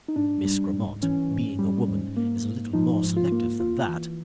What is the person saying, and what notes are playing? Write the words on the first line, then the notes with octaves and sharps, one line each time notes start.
Miss Grammont being a woman is a little more selective than that.
D#4
G#2 D4
G3
G#2
E3 C#4
G#2
G3
G#2
A#3
G#2
F3 D#4
G#2
F4
A#3
F2 F4
E3